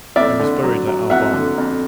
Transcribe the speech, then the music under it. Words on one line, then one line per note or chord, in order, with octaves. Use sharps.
He was buried at Arbonne.
F2 D5 E5
D3
F#3
F#3
F2 E5 F#5
D3
F2